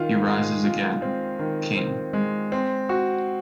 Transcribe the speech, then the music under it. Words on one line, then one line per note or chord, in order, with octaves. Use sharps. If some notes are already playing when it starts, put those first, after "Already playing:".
He rises again, king.
Already playing: D#3 F4
G#3
F4
C4
D#3
C4
G#3
C4
F#4